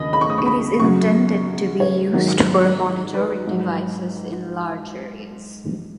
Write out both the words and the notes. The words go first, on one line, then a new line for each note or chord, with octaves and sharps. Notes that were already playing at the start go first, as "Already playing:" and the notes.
It is intended to be used for monitoring devices in large areas.
Already playing: D#2 C#3 D#5 B5
B5
C#6
D#6
C#6
B5
F#2 C#3 F#3 C#6
C#5
G#2 D#3 F#3
B4
G#2 F#3